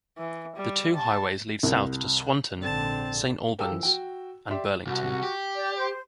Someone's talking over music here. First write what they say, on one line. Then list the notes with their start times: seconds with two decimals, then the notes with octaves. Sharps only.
The two highways lead south to Swanton, Saint Albans, and Burlington.
0.18 E3
0.56 G3
0.96 A5
1.63 C2
2.63 A#1 G#2 D3 C4 A5
3.59 G4 A4 A#4 F5 G5 E6
3.71 E3 F3
3.83 F#4 G5
4.51 G4 D5 E5 C6
4.87 C2 F#4
5.23 G4
5.56 D5
5.77 C5